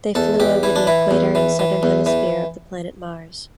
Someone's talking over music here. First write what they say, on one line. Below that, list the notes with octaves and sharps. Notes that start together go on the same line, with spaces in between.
They flew over the equator and southern hemisphere of the planet Mars.
E2 A4
E2 G4
E3 E4
D4
E3 E4
E2
E3
E3
E2
E3